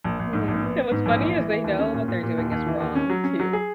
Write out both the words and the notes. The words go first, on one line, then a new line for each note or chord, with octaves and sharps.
Mhm. And what's funny is they know what they're doing is wrong too.
A#1
A#1
G#2
A#1
B3
B3
G#2
A#1
E3
E3
E3
D#2
C#4
A#2
A#2
A#2
D#2
D#2
E3
D#2
C#4
F#3
C#4
F#3
G#4